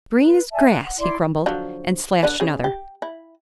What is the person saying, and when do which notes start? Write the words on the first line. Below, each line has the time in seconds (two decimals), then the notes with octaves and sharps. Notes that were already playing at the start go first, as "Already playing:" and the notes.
"Green's grass!" he grumbled, and slashed another.
0.18 B4
0.53 D5 E5 G#5 A5
0.68 F#5 F#6
0.83 F#5
0.99 E4 D5 C6
1.46 D3 F3 F#3
2.23 D3 B4 D5
2.40 C#3 G#4
2.64 G4
3.02 E4